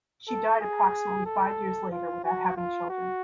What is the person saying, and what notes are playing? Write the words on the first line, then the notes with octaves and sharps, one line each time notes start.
She died approximately five years later without having children.
A4
G#4
A4
F4
F#4
F4
F#4